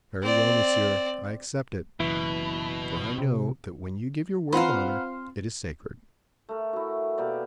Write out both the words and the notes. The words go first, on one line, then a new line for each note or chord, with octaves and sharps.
"Very well, monsieur, I accept it; for I know that when you give your word of honor, it is sacred."
C4 D5
F#1 B2 E3 E4
C3
C4 F4 B4 C5 F5 F#5 A#5
A3 A#4
E4 F#4
B2 A#3 G4 D5